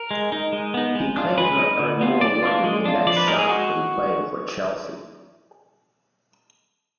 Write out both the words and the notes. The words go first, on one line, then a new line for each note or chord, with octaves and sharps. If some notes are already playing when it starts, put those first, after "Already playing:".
He claimed to have earned more working in that shop than playing for Chelsea.
Already playing: A#4
G#3
D#4
G#3
B3 D#4
G#3
D4 F4
G#3 B4
D#4
D3
F#3 B3 F4
D#3 D5
A#3 D4 F4
G#3
D4 F4
F3 D5
B4
G#3 D#4 A#4
G#4
G#3 F#4